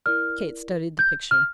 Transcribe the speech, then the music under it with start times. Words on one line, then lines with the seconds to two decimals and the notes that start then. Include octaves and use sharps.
Kate studied the picture.
0.06 E4 A#4 D5 F6
0.99 G6
1.31 F6